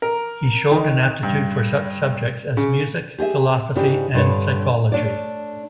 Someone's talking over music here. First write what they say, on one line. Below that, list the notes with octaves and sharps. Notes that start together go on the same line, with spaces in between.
He showed an aptitude for such subjects as music, philosophy and psychology.
A#4
D#3
G2
C#3
G4 G#4 D#5 E5
G#2 C#3 D4 E4 G4
G2 D3 B4 C#5
A3 D4 C#5 D5